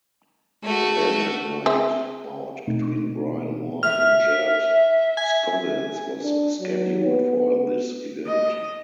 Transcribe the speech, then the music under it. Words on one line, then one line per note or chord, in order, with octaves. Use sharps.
A bantamweight bout between Brian Moore and Jared Scoggins was scheduled for this event.
G#3 A3 F#4
C4 G#4 E5
B2 A3 C4 D#4
E5 F6
G#5
D4
F#3
B3
D#5